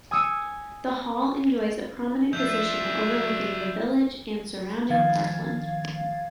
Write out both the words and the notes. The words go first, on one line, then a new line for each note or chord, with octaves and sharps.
The hall enjoys a prominent position overlooking the village and surrounding parkland.
G#5 D#6 E6 C#7 D#7 E7
F3 D4 E5 G6
F#3 G#4
D#3 F3 F5 G#6 A6